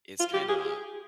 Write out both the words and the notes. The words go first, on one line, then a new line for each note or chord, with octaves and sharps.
it's kinda
F4
G4
G#4